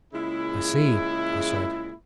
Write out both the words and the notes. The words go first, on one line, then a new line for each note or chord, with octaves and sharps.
"I see," I said.
A#2 C#3 G#3 E4